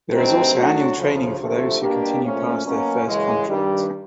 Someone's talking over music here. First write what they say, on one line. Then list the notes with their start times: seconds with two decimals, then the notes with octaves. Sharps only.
There is also annual training for those who continue past their first contract.
0.13 G2 D#3 F#3 A3 C4
0.55 A2 F#3 A3 D4 F#4
0.97 D2 C#3 F3
1.38 D2 C3 F3 A3
1.80 B2 G3 A#3 D4 G4
2.22 A#2 F3 A3 C#4
2.63 B2 F#3 A#3 C#4
3.05 F#2 C#3 E3 G#3
3.47 G2 D#3 G3